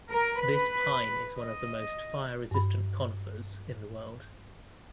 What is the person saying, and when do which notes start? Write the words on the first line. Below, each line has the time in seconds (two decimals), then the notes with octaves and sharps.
This pine is one of the most fire-resistant conifers in the world.
0.11 A#4
0.41 B4
1.38 D#5
2.51 G2 B5